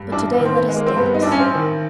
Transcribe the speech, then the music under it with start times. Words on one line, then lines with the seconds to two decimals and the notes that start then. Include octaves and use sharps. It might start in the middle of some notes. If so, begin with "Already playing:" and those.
But to-day let us dance.
Already playing: G2
0.12 A1 D4
0.33 B3
0.40 D#3
0.45 C4
0.55 B3
0.69 G#3
0.76 A#3
0.86 C4
0.96 G2 B3
1.14 D#4
1.22 A1 D4
1.32 C#4
1.39 C4
1.54 D#3